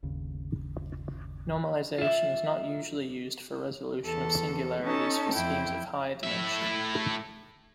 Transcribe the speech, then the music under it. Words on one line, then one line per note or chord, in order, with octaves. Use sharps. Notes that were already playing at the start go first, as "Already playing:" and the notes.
Normalization is not usually used for resolution of singularities for schemes of higher dimension.
G1 D#2 C#3
F4 E5
E2 A4
C#4 D#4 A4 A5
F2 E4 G5
A2 E5